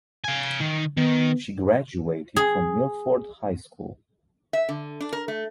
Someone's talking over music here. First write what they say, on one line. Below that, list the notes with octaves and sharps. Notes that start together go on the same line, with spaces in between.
She graduated from Milford High School.
F5 G#5
D#3
D#3 B3
G#4
E5
D3
D4
A#4
A3